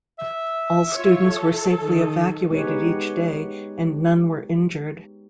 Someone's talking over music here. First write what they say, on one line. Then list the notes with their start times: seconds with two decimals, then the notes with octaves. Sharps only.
All students were safely evacuated each day and none were injured.
0.19 E5
0.92 F4 C#5
1.28 A4
1.75 D#3
2.51 G#3 B3 D#4 G4 B4 C#5